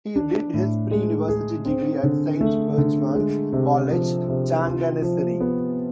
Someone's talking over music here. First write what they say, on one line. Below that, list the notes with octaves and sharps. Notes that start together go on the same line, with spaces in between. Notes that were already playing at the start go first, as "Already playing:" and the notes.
He did his preuniversity degree at Saint Berchmans College, Changanassery.
D4
A2
G#3
G#4
C4
D3
A3
D3
G#3
C3
F3
C3
F4
F3
B3